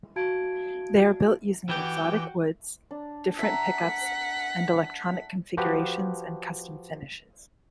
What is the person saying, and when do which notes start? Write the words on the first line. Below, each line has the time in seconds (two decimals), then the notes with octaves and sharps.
They are built using 'exotic' woods, different pickups and electronic configurations and custom finishes.
0.16 F#4 F5 A5 G#6 D7
1.69 E3 F#4 G4 G5
2.91 D4
3.39 E5 F#5 A5 A#5 B6
5.57 F3 F#4 G4 B4